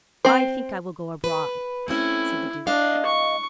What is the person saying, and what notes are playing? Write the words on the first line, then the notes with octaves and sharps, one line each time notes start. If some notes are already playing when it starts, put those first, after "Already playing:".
"I think I will go abroad," said the Duke.
C4 C5
B4
A3 C4 C#4 E4
G#3 D4 D#5 F5
C#6